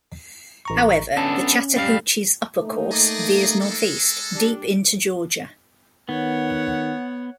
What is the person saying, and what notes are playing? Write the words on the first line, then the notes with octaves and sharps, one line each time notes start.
However the Chattahoochee's upper course veers northeast, deep into Georgia.
A1 A#5 C#6
B3 C#4 D4 A4
G3 F5
A3 A#3 D#4
G#4 D5 D#5
G#3 A4
G3 D4
D#3 B3 C#5 F#5